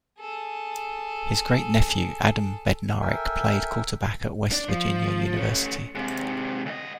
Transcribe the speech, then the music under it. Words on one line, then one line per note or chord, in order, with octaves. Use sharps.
His great-nephew, Adam Bednarik, played quarterback at West Virginia University.
G#4 A4
A4 A#4 E5 G5 G#5
D4 D5
F3
A3 C#4
G#2 C3
D2 D#5